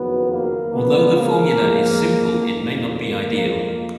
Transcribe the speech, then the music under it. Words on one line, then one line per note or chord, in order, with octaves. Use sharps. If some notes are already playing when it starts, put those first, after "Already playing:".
Although the formula is simple, it may not be ideal.
Already playing: F#1 F2 D#3 F#3 B3
A#3
C#2 C#3 F3 B3
A#3
F2 F3 G#3
F#1 F2 D#3 A#3
A#3
F2 F3 G#3 A#3